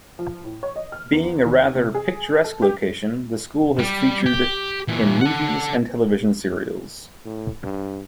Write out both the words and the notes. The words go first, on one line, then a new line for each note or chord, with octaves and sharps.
Being a rather picturesque location, the school has featured in movies and television serials.
F3
A2
C#5
D#5
F6
E2
D#2
C3
G#4
A4
G4
G3
G4
A#2 E3
A4 F#5
A2
G2